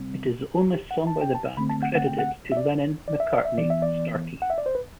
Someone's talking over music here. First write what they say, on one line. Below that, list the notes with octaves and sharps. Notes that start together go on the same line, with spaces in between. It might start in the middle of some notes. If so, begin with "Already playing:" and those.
It is the only song by the band credited to Lennon-McCartney-Starkey.
Already playing: C3 G3 C4
F#4
G4
F#5
A5
G5
A5
D3 A3 C4 B5
A5
F#5
F#5
G5
F#5
E5
D5
D5
E5
D5
E5
E3 B3 D5
E5
D5
F#5
E5
D5
C5
B4